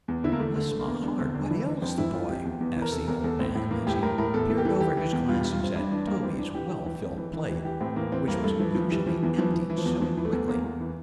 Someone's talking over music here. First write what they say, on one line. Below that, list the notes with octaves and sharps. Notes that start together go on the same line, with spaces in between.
"Bless my heart! what ails the boy?" asked the old man, as he peered over his glasses at Toby's well-filled plate, which was usually emptied so quickly.
E2
D3 E4
A#3
D3 A3
D3 A3
D3
A#3
E2
E2 D4
D3 C4
D3 D4
D4
E3 E4
E3 D4
F2 C4
E3 E4
F2 F4
F2 G4
E2
E2
E3
A#4
C3 A4
E2 A#4
E2 A4
A2 C4
A2
E3 A#3
A2 G4
A2 A#4
A2 A#4
E2 A4
E3
G4
E3 A4
E3 G4
E3
E2
G2 F4
G2 G4
F4
G2 C4
G2 D4
E3 D4
G2 A#3
D4
E3 C4
E3 D4
E3 G4
E3
E3
F2
E3
E3
E3
E3 G4
A2 C4
E3 A#3
E3 C4
G2 A#3
G2 A3
E3 F3
E3 F3
E3 G3
E3 F3
E2 E3
E3 F3
E3
E3
F3
E2
E3 F3
E3
A3
E2
E2 A#3
E2
E3